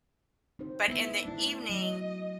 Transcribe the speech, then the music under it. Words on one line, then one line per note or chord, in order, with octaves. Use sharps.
But in the evening
C4 D#4 C5
B3 E4
A3 D4 E4
F#3 D#5